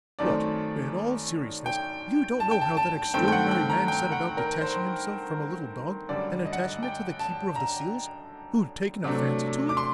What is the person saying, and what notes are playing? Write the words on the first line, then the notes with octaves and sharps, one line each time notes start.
What--in all seriousness, you don't know how that extraordinary man set about detaching himself from a little dog and attaching it to the Keeper of the Seals, who'd taken a fancy to it?
F#2 D#3 A3 C4 D5
G5
A5
G5
A5
A5
G2 D#3 A3 C4 G5
G5
F#5
G5
A#5
G5
F#5
A#4
C5
F#2 D3 G3 D5
D#5
F#5
D#5
G5
A5
A#5
C3 F#3 A3 D4
D6
C6